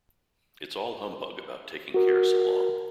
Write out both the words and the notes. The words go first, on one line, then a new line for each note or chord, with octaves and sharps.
It's all humbug about taking care so long.
F#4 A#4